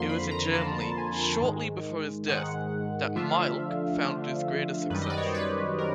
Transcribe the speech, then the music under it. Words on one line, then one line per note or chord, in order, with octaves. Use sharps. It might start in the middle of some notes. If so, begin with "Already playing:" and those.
It was in Germany, shortly before his death, that Mielck found his greatest success.
Already playing: F2 D3 F3 A#3 C6
B5
A#5
F2 D3 F3 A#3 A5
A#5
A5
G#5
G#2 D#3 G#3
G#2 D#3 G#3 F#5
D3 F3 A3 D4 F4 E5
F5
E5
D3 F3 A3 D4 F4
F#2 D#3 G3 B4
D#5
D5
C#5
C5
B4
D#3 A#4